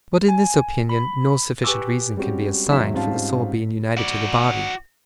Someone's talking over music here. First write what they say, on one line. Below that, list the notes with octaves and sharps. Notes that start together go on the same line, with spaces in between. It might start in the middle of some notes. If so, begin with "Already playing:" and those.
But in this opinion no sufficient reason can be assigned for the soul being united to the body.
G#5
B5
G4 B4 G#5 C#6 D6 E6
G3 G#3 C4 C#4 F#4 G4
E1 D#3 F#3 E5 B6 E7
G#2 G3 C4 C#4 F4 A5
F#4 D5